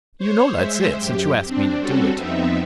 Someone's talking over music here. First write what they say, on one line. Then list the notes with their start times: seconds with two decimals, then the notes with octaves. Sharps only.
You know that's it, since you ask me to do it.
0.18 C5 C#5
0.52 G#3 C5 E5
0.97 F#2 G4
1.44 C4 D4
1.80 G3 C4 C#4 F#4 A4
2.17 F2 B3 C4 D#4 E5